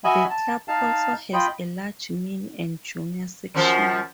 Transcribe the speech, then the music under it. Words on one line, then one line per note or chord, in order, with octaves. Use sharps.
The club also has a large mini and junior section.
F#4 D#5 E5 G#5 B5
A5
D#4 F5 A5
F4 D#5 G5 B5
F#2 F3